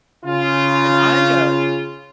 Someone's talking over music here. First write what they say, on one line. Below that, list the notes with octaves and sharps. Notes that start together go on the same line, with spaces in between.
And I, uh
C#3 F4